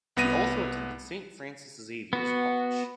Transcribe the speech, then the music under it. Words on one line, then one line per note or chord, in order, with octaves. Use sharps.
He also attended Saint Francis Xavier's College.
C2 B3 A#6 D#7
B3 F#4